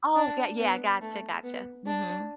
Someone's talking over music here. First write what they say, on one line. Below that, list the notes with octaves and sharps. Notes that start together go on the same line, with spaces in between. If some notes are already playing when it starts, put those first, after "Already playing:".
Oh, 'kay, yeah, I gotcha, gotcha. Mhm.
D4
B3
A3
B3
D4